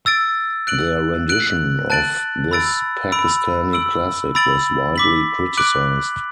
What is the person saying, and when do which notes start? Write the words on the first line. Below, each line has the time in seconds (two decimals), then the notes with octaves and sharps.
Their rendition of this Pakistani classic was widely criticized.
0.06 E6 A6 D7
0.67 F#6 D7 F#7
1.29 F#6 D7 F#7
1.90 A5 F#6 A6 D7 F#7
2.51 B5 E6 A6 D7
3.12 B5 E6 D7
3.73 E6 D7 F#7
4.35 B5 E6 A6 D7 F#7
4.96 D6 B6 F#7
5.57 D6 F#6 D7 F#7